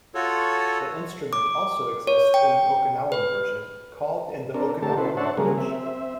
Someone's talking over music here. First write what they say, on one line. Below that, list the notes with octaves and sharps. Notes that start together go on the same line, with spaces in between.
The instrument also exists in an Okinawan version, called in the Okinawan language.
F4 F#4 A4 C#5
D6
C#5
G5
B4
C4 D4 A4 A#4
D3 A3 G4 A4 A#4 A5
C#4 E4 F#4 B4 C5
D4 C5 C#5 E5 F#5 A5
C#3 F#3 G3 A#3 G#4 A#4
C4 E5